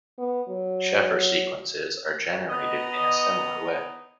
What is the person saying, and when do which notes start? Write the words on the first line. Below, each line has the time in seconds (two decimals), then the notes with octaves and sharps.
Sheffer sequences are generated in a similar way.
0.19 B3
0.48 F#3
2.50 B3 D#4 D#5